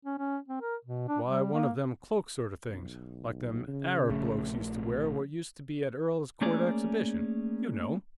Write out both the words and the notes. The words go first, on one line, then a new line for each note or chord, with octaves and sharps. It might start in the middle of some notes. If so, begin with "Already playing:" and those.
'Why,--one of them cloak sort of things, like them Arab blokes used to wear what used to be at Earl's Court Exhibition,--you know!'
C#4
C#4
C4
A#4
B2
D4
G3
A#3
B1
C#3
A#1 A3
C3
A3 A#3 C#4 G#4 D5